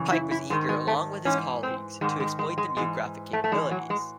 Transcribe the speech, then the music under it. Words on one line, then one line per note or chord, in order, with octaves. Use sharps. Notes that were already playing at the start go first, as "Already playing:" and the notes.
Pike was eager, along with his colleagues, to exploit the new graphic capabilities.
Already playing: F#2 C#3 E3
E4
E4
G#2 D#3 G#3
G#3
A3
G#2 E3 C#4
C4
G#2 D#3 G#3
G#3
G#3
G#3
G#2 E3 G#3
A3
A3
A2 E3 G#3
F#3
G#3